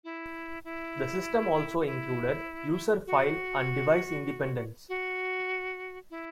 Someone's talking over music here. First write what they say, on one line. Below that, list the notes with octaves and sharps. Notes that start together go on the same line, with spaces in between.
The system also included User file and Device independence.
E4
E4
F#4
E4
F#4
F#4
E4